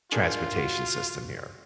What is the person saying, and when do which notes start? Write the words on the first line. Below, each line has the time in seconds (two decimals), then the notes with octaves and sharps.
transportation system here.
0.12 D4 F4 G#4 A#4
0.56 F#4